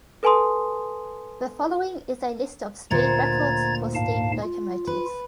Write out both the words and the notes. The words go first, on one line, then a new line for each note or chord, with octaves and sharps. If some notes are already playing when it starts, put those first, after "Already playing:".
The following is a list of speed records for steam locomotives.
A4 B4 G#5 A5 C6 D#6
D2 A#2 C5 A#5 G#6 A6
G#2 F5 A5
F4
B4